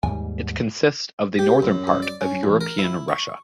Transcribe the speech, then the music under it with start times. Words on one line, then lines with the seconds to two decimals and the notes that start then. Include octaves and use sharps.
It consists of the northern part of European Russia.
0.03 D#2 G#2 G3 G#5
1.39 G4
1.62 F#2
1.87 F#2
2.02 D5
2.21 C#4
2.43 A1
2.61 A#4
2.78 E4
3.08 C#6